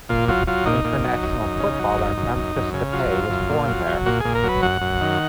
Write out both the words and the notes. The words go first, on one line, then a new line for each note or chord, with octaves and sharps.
International footballer Memphis Depay was born there.
A#2 F4
F#3 F4
F#3 F4
A#2 D#4
A#2
F#3
F#2
F#2
C#3
F#3
F#2
F#2
F#2
F#2
C#3
F#3 F4
F#2
F#2
A#2
F#3
F#3
A#2 F#4
A#2 G#4
A#4
F#3 B4
F#2 F#5
F#2
D#3